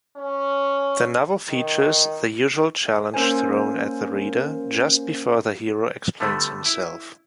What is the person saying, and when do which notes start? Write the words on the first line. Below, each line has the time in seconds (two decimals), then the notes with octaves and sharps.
The novel features the usual challenge thrown at the reader, just before the hero explains himself.
0.16 C#4
1.48 D#3
3.14 A#3 C#4 A#4 C5 G#5
6.20 D3 F3 G3 A3 B3
6.66 E4